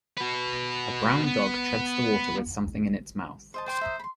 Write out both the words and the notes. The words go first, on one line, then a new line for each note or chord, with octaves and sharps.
A brown dog treads the water with something in its mouth.
F#4 B4
B3
C5 D#5 A5
C5 D5 G5 C6
E5 A#5 D#6
B5 C6